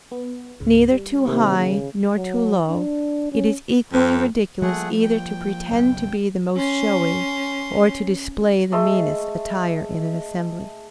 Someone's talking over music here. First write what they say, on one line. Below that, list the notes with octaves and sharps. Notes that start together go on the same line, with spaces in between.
Neither too high, nor too low; it is equally ridiculous either to pretend to be the most showy, or to display the meanest attire in an assembly.
B3
C#2 G#2 C#3
G3
C3 D#3 A#3
C#3
F#3
D4
C#4
F2
F3 G3 A3 A#3 G#4 F#5
G5
F#1 B1
C#4 C6
G#3 A3 D#5 C6